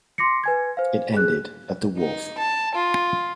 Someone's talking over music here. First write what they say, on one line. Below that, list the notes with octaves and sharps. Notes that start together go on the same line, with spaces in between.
It ended at the wharf.
C6 D6 A#6 C7 C#7
B4 G#5 G#6
C5 F5
G#4 F#6
D#4
A5
F4